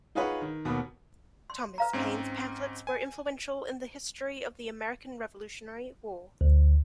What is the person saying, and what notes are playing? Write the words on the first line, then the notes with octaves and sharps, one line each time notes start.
Thomas Paine's pamphlets were influential in the history of the American Revolutionary War.
D#4 F4 G#4 B4 C#5 F#5
D#3
D#2 B2 A#3 B3 B5
C6
B4 F5 A#5
G#2 C4 C#4
G#5
D2